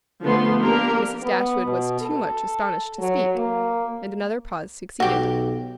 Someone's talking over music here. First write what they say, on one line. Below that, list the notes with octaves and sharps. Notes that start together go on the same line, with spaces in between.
Mrs. Dashwood was too much astonished to speak, and another pause succeeded.
D3 F3 A3 B3 C6
A#3 D4 G4 A#4
B3
B2
A4
F#3
A#3
B1 F#4 G4